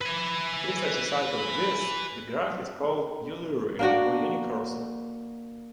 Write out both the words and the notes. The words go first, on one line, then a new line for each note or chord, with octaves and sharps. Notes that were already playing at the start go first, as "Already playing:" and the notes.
If such a cycle exists, the graph is called Eulerian or unicursal.
B4 G#5
A#3 D4 F#4